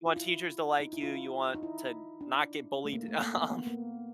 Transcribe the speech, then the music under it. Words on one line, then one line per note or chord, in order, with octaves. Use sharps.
you want teachers to like you, you want to not get bullied. Um,
F4
E4
D#4
E4
F4
D#4
E4
D4
A3
A#3
A3
A#3
B3
B3
A#3